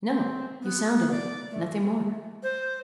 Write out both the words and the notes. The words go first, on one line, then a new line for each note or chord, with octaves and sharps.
No, you sounded me, nothing more.
C4
B3
D5
A3
C5